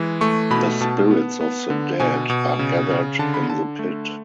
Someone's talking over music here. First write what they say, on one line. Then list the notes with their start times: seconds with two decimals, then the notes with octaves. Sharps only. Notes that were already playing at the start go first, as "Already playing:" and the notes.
The spirits of the dead are gathered in the pit.
Already playing: E3 G#3
0.21 A3 C#6
0.51 B2 B5
0.81 B2 A5
1.11 B3
1.41 B3
1.70 D3
2.00 B2 G#5
2.29 B2
2.59 C#3
2.90 C#3
3.19 D3 A5
3.34 B5
3.49 D3 A5
3.79 A3